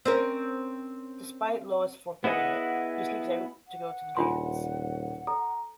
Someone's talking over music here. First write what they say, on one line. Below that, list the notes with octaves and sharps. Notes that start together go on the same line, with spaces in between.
Despite Lois forbidding it, he sneaks out to go to the dance.
C4 C#4 A#4
B3 E4 G#4 D#5 F#5
F#5
D#1 D4 F4 C6
A4 A#5